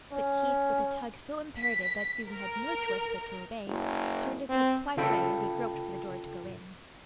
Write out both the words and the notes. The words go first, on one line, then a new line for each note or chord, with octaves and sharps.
But Keith, with a tug so imperative that Susan had no choice but to obey, turned his head quite away as he groped for the door to go in.
C#4
B6
A#4
F#1
C4
C#3 F4 A4 G5 B5